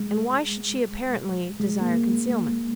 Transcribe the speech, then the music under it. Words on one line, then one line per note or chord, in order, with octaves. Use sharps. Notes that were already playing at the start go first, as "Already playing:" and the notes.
And why should she apparently desire concealment?
Already playing: G#3
G#3
A#3